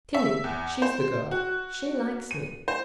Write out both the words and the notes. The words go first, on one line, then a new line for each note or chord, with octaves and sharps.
Tillie--she's the girl--she likes me.
E5
E2
C5
F#4
D#7
C5